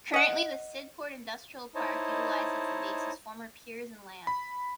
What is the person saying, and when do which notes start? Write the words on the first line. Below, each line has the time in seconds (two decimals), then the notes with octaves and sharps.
Currently, the Sydport Industrial Park utilizes the base's former piers and land.
0.14 D#5 F#5
1.75 D#4 E4 C5 C#5 D#5 A5
4.27 B5